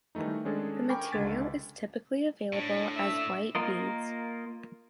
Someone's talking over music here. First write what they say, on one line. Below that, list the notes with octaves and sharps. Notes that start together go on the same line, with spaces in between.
The material is typically available as white beads.
D#3 E3 G3 A3 D#4
D#3 G#3 C#4 D4 G#4 A4
A#4 G5 G#5 B5 C#6 D6
C#2 D3 G#3 G#6 A6 B6
A2 D4
E5 E6
A#3 F4 A#4 D#5